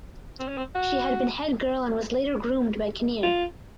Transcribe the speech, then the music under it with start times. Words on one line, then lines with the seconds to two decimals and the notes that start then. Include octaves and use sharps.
She had been head girl and was later groomed by Kinnear.
0.40 C4
0.48 C#4
0.57 C4
0.75 F#4
3.23 F4